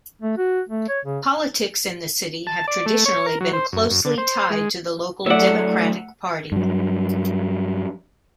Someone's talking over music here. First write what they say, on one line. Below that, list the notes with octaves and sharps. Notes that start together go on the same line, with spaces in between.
Politics in the city have traditionally been closely tied to the local Democratic Party.
A3
F#4
A3
C#5
C#3
A5
D5
A3
C#5
A#4
F#3
C5
F#2
F#2
D3
C5
G#3
A2 F#3 A3 C#5 D5 E5 F#5
G2 F#3